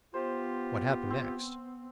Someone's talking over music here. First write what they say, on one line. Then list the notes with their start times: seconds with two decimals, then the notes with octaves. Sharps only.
"What happened next?"
0.14 B3 F4 G4 C5
1.10 C4